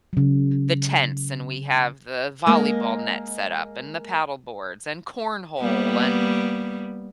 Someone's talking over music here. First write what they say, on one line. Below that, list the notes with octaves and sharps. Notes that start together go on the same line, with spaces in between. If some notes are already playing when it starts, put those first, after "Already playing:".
the tents and we have the volleyball net set up, and the paddle boards, and cornhole, and,
C#3 F#3
G#3 A#3 A#4 D#5
G3 A#3 B3